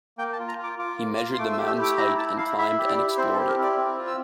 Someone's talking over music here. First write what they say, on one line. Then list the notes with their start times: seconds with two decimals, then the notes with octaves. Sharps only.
He measured the mountain's height and climbed and explored it.
0.18 A#3 G5
0.33 A5
0.39 F4
0.48 A#5
0.58 F4
0.63 D6
0.79 F4 D6
0.98 A#3
1.18 F4
1.34 C6
1.39 A3 D6
1.53 E6
1.59 G4
1.68 E6
1.78 E4 D6
1.97 E4 A#5
2.17 E4 A5
2.38 E4 F5
2.58 E4 E5
2.78 G4
2.87 D5
2.97 E4
3.17 C4 C5
3.33 A4
3.38 G4
3.48 A#4
3.58 E4
3.63 D5
3.77 C4
3.98 F4
4.07 E6